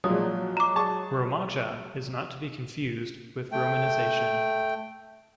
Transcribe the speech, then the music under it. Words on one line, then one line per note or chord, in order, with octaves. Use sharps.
"Romaja" is not to be confused with "romanization".
A#2 F3 F#3 G#3 D#6
A#5 D6
G#4 A5 C#6
A3 G5